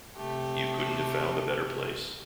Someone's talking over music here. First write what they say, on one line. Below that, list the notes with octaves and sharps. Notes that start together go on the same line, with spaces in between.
You couldn't have found a better place.
C3 A3 G4